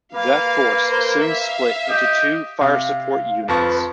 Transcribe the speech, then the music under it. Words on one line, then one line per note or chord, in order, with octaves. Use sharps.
That force soon split into two fire support units.
A#3 B4 F5
A#4 C5
E5 F5
G4 D#5
C3 F5
F2 F3 B4 C#6